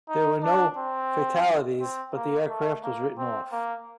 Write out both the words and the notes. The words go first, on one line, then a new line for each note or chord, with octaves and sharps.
There were no fatalities, but the aircraft was written off.
D#4
D4
C4
C4
A#3
A3
A#3
C4
A#3